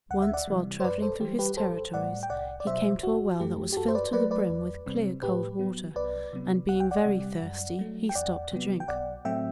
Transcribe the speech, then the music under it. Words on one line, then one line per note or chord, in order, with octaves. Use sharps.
Once, while traveling through his territories, he came to a well that was filled to the brim with clear cold water; and being very thirsty, he stopped to drink.
D2 F#5
E5
D5 F#5
C3 E3 G3
C5
F#2 B4 D5
A4 C5
E3 G3 G4
G4 B4
A1 A4 C5
A2 G3 D5 F#5
G5
C2 D5 F#5
D5
B2 F#3 C5 E5
G1 F#4
F#2 F#3 A3 G4
G4
F#2 F#4 A4
C5
B4 D5
F#3 A3 B4 D5
B4 D5
E2
C3 G3 C4
A2 G4 B4
F#3 B3
C2 B4 D5
C3 F#3 B3
C2 F#5
G5
D5 F#5
C3 G3
F#2
F#3 A3
G5
E2 D5 F#5
C3 F#3 B3
G5
B1 D5 F#5
A2 F#3 A3 C4 E5 G5